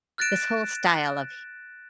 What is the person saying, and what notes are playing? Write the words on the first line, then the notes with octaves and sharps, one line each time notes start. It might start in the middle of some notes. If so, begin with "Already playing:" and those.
this whole style of h
F6 F#6 A6 A#6 D7 E7